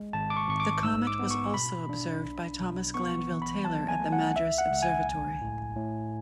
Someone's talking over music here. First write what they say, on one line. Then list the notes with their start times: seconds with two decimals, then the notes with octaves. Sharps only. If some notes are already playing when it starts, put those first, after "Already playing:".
The comet was also observed by Thomas Glanville Taylor at the Madras Observatory.
Already playing: G#3
0.13 G#1 A5
0.30 D6
0.37 C#6
0.49 G#1 C#6
0.60 D6
0.83 G#2 E6
1.07 D6
1.19 B3
1.31 C#6
1.54 B2 B5
1.89 D4
2.24 B1
2.60 B1
2.94 B3 C#6
3.30 E3
3.42 B5
3.65 F#3 A5
3.88 G#5
4.00 A3
4.12 F#5
4.36 C#2 E5
4.58 F#5
4.70 C#2
4.82 G#5
5.05 B1
5.41 A2
5.76 A2